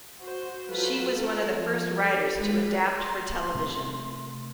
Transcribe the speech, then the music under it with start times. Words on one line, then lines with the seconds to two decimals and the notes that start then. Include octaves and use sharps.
She was one of the first writers to adapt for television.
0.19 F#4 C5
0.70 F#3 F4 A4 B4
1.16 C4 A4 A#4
1.54 F3
1.93 G4 A4
2.38 G#3 F4 B4
2.97 C6
3.55 C3 A3